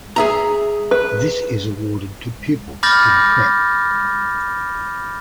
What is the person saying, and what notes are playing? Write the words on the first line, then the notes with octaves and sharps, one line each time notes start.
This is awarded to pupils in Prep.
G#4 E5 A#5
B4
B5 D6 F6 G6 A6 A#6